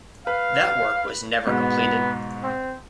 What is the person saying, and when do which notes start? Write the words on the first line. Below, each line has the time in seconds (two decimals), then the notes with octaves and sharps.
That work was never completed.
0.27 B4 F5
1.47 G#2 B2 B3
2.43 C4